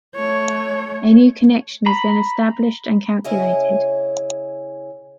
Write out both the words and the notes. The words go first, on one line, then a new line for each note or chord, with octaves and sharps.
A new connection is then established and calculated.
A3 C#5
A#5 B5
C#3 C#4 E4 G#4 C#5 D#5